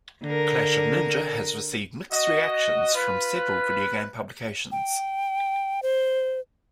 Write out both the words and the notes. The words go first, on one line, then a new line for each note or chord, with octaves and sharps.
"Clash of Ninja" has received mixed reactions from several video game publications.
D3 A#4
F#4 D#5
F4 B4
G5
C5